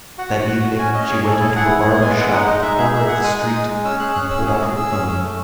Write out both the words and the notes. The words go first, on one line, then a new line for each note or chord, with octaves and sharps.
That evening she went into a barber's shop at the corner of the street, and pulled out her comb.
F#4 F#5
F#4
F#4
F#4
C#4 G#5
C#4 D#5
G#4 C#5
G#4 A4
E4 A4
G#4 F#5
E4
B3
G#3 G#5
G#3 F#5
D#4 F#5
G#3 D#5
D#4 E5
G#4 E5
G#4 E5
G#4 F#5
G#3 D#6
D#4
G#3
G#3
C#4 E6
G#4 F#6
C#4 F#6
C#4 E6
G#4
G#4
G#4 E6
C#4
C#4
A3